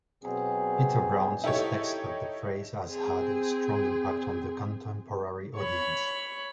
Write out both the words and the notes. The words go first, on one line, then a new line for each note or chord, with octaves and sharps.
Peter Brown suspects that the phrase has had a strong impact on the contemporary audience.
B2 F#3 C4 G#4
D#4 E4 G4 A4 C#5
C4 G#4
C#5 B5